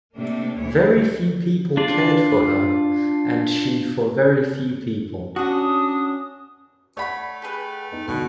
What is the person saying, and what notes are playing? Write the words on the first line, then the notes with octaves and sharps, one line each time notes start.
Very few people cared for her, and she for very few people.
C3 A3 A#3 D4
D2 E3 C#5
D4 F4 D5
C#4 D4 F#4 D#6
A3 C#5 D5 F#5 B5
G4 G#4 B4
B3 D#4
B1 B2 D3 C6